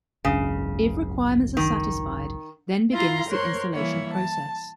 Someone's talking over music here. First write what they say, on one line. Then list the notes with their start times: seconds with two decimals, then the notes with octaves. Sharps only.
If requirements are satisfied, then begins the installation process.
0.25 G#1 C#2 F#2 C#3
1.57 D#3
2.93 E4 F4 F5 A#5 C6
3.28 A#4 C5 C#5 C6 F#6
3.73 E3 G3 A#3 E4 C#5
4.13 A5